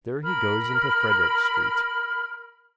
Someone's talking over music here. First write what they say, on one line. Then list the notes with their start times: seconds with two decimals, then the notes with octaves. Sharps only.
There he goes into Frederick street.
0.22 A#4 B5 F6